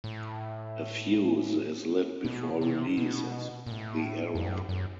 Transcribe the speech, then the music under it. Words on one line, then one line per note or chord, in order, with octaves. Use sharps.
A fuse is lit before release of the arrow.
A2
B2
C3
B2
A#2
A2
F2
F#2
F#2